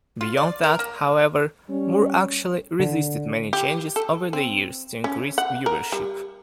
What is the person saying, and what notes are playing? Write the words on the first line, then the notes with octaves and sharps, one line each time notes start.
Beyond that, however, Moore actually resisted many changes over the years to increase viewership.
F4
D5
A#4
A#3
G3 C#4
D3
G4
A4
C4
C#4
F#5
A#4
G3